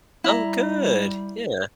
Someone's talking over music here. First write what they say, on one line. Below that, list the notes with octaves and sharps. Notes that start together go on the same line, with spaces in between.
Oh, good. Yeah.
G3 E4 A#5